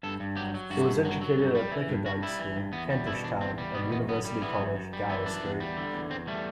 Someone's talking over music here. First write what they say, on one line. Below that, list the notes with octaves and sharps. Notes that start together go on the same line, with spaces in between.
He was educated at Bickerdike's school, Kentish Town, and University College, Gower Street.
G2 A4
G2
F#3 G4
F#3
G2 F#4
G2
F#3
F#3
G2
G3
E3
G2
G2 F#4
G3 E4
E3
G2
E2 B3
G3
B2 E4
E2 D4
E2 C4
G3
B2 B3
E2 B3
F#2 B3
G3
E3 B3
F#2
F#2
G3
E3 B3
F#2 D4
E2
G3
D3
E2
E2 C4
G3 A3